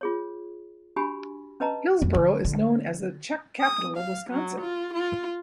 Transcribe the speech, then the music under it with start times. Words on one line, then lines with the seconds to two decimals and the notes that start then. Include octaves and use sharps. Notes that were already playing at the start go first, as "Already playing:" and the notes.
Hillsboro is known as the Czech Capital of Wisconsin.
0.01 F4 G#4 C#5
0.96 D4 F#4 G4 G#5 B5
1.60 C#4 B4 D#5 A5 A#5
2.02 F2 B3
2.15 D3
2.44 D3
3.58 D#6
3.96 F5
4.30 F#3
4.60 F4
4.93 F4